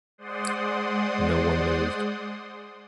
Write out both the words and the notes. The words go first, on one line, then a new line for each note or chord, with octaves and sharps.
No one moved.
G#3 C5 D5 F#5 C6 D#6